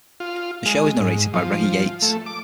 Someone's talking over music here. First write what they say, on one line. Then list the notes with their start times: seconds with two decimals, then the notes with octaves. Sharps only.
The show is narrated by Reggie Yates.
0.20 F4
0.66 G#3
1.00 G#2
1.33 F3
2.02 A3
2.26 D6